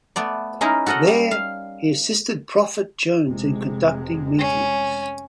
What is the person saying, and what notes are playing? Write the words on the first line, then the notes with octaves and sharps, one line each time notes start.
There he assisted Prophet Jones in conducting meetings.
A3 B3 D5
G#3 C#4 D#4 E4 A#4
F#4 A4 A#4 D#5 F#5
G3
F5
F1 C3 G#3
C#4